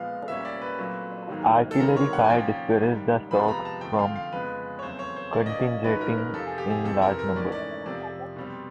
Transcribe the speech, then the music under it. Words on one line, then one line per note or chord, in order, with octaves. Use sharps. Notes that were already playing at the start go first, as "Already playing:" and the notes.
Artillery fire discouraged the Sioux from congregating in large numbers.
Already playing: A#2 F3 G#3 B3 F5
A#2 G3 A#3 C#4 E5
D5
B4
A#2 F#3 A3 C4
G#2 D#3 F#3 A#3
A4
C3 D#3 G3 C4 A#4
C#5
F#5
G#5
A#2 F3 A#3 C#4 G5
G#2 D#3 G3
F2 C3 F3 G#3 B3 B5
B5
A#5
A5
D3 F3 A3 C4 G5
F5
F5
F2 C#3 F3 G#3 B3 B4
C#5
E2 C#3 F#3 A3 C4 C5
C#5
C5
A#2 F3 A#3 C#4 D5
D#5
D5
G#2 D#3 G#3 C#4 B4
A#4
A#4
F2 C3 F3 A4
G#4
G4
G#4
F2 C3 E3 A3 C4 A4
A#4
A#4
G#2 E3 A3 C#4 D5
D5
F2 C3 F3 D5
B2 G3 C4